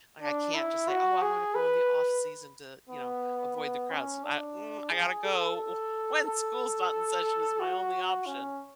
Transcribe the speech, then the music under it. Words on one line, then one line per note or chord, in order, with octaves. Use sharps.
Like, I can't just say, "Oh, I'm gonna go in the off-season to, you know, avoid the crowds." I, mm, I gotta go when school's not in session is my only option.
D4
E4
F#4
G#4
B4
B3
B3
C#4
D4
G#4
A4
A4
A4
F#4
C#4